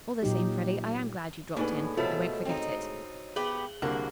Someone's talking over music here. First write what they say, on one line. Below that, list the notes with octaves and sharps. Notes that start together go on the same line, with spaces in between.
"All the same, Freddy, I am glad you dropped in: I won't forget it."
A#2 F#3 D#4 G4
A2 G#3 A#3 B3 D4 D#4 G#5
B2 F3 A3 C#5 D#5
C4 D#4
B3 G4 G#4 F#7 G7
C2 D3 A#3 F#4